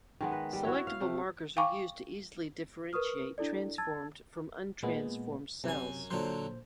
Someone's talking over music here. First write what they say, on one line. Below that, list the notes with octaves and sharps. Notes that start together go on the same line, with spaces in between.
Selectable markers are used to easily differentiate transformed from untransformed cells.
D#3 G#3 B3
B4
G3
E4 F#4 C#5
F5
C3 A3
F5 G5 G#5 B5 C#6 D6
A#4 B4 C#6 D#6 F6
D4 E4 A4 D5
A5 E6 G#6 A6
A#2 G#3 B3
F#2 C3 G#5
A#2 D3 F#3 C5